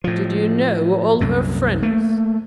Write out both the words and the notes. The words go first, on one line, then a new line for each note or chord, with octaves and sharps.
"Did you know all her friends?"
A2 F3
C2 F#2 A#2
A3 A#3